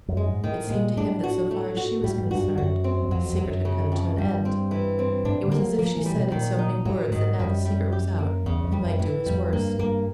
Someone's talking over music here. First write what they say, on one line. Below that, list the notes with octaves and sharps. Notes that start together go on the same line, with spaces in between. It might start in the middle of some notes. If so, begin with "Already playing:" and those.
It seemed to him that so far as she was concerned the secret had come to an end; it was as if she said in so many words that now the secret was out he might do his worst.
F#2
G#3
G#2
A2 D#3
A#2 G#3
A2 D4
F#4
A3
F#4
A2 G3
G#2
G2 F#4
G2
F#2 F#4
C4
F#2
F2 F#3
F2
F#3
F#2
C#3
F2
G2 G3
C4
E3
C4
A2 D4
D3
A#3
F#3
F3 A#3
E3
G3
B2
A#2 D#3
D#4
A2 F#3
G#2 D#3
F#2 G3
G3
G4
A#3
E2 C#3
F2
G3
F#2
A2 E3
F2 G3
G2 A#3
G2 A#3